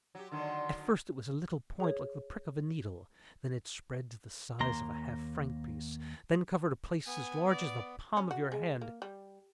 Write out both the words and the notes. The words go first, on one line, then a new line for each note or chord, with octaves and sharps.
At first it was a little point like the prick of a needle,--then it spread to the size of a half-franc piece,--then covered a place as large as the palm of your hand.
F#3 G4
D3 D#3 F#3 D5 C6
G#4 C#5
D#2 A#3 A#5 C6
B3 G#5
D5
C#4
F#4
G#3
A#3
G3